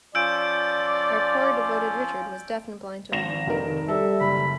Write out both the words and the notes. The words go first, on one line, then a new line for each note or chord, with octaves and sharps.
Our poor devoted Richard was deaf and blind to all.
F3 C#4 F4 D5 E6 G6 D7
G#1 A#6 E7
F1 D#3 A#4
G3 A4 E5
F#1 B5